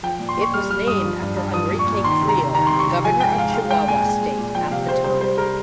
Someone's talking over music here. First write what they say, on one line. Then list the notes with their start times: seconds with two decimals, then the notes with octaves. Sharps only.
It was named after Enrique Creel governor of Chihuahua state at the time.
0.03 F3 G5
0.20 A#2
0.29 C6
0.37 A#2 C#6
0.54 G3 F6
0.70 G3 F6
0.87 G2 D#6
1.04 F3
1.21 G2
1.37 G2
1.54 F3 D#6
1.71 A#2
1.79 C#6
1.87 A#2
2.04 D#3 C6
2.21 C3
2.29 A#5
2.38 C3
2.54 D#3 A#5
2.67 C3 C6
2.79 C#6
2.87 C3
3.04 F3 G#5
3.20 G#2 G5
3.37 G#2 F5
3.54 G#3 F5
3.71 G#3 G5
3.87 A#2 G#5
4.05 G#3
4.21 G#3
4.38 A#2
4.54 F3 G5
4.71 C3 F5
4.88 C3 C5
5.04 G3 C5
5.21 G3 C5
5.38 A#4